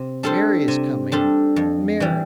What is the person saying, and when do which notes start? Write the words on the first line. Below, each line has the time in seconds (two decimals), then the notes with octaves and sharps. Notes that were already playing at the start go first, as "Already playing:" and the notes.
Mary is coming! Mary!
Already playing: C3
0.23 G3 D4 A4 C5
0.68 C3
1.12 G3 D4 A4 C5
1.56 F2
2.00 E3 G3